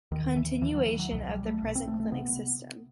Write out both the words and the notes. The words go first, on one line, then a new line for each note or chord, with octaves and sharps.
Continuation of the present clinic system.
D#2 D#3
E3
D#2 E3
F#3
E3
F#3
C2 B2 F#3
G3
A3
C2 B2
C4
A3
A3
C3 B3